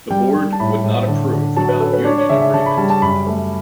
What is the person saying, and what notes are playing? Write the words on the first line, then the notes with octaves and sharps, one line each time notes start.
The Board would not approve without union agreement.
G3 G5
G3
A5
A2 B5
A2
D3
D3
F#3 A5
B4
C#4 A4
B4
D4 C#5
C#5
C#3 E5
E5
C#3 A5
B5
G3 A5
A5
F#2 B5
A3